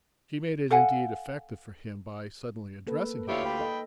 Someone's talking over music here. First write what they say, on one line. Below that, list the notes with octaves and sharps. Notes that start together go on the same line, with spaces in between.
She made it indeed effective for him by suddenly addressing him.
A4 F5 F#5 G#5
A#3 A4 B4
D2 E4 F4 G4 C#5 D5
G5 B5
A4 D#5